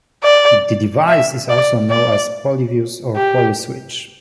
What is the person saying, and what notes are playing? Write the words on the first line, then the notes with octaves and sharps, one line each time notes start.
The device is also known as a polyfuse or polyswitch.
D5
E5
D5
D5
G4